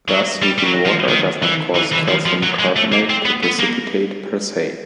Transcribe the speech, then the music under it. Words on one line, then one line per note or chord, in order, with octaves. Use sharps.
Thus, heating water does not cause calcium carbonate to precipitate per se.
F#3
G3
G3
F#3
F3
D#3
E3
E3
E3
F3
F3
F#3
G#3
A3
A#3
C4
B3
B3
A#3